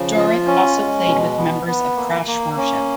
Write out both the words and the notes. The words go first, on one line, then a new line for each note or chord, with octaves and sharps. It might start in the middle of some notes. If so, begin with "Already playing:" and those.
Doerck also played with members of Crash Worship.
Already playing: C#3 F3
F4
C#4
G#3
B2
B3
B3
A#3
A#3
C#4